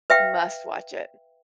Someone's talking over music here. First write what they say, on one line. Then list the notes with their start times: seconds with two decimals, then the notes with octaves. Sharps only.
You must watch it
0.10 B4 E5 F5 G5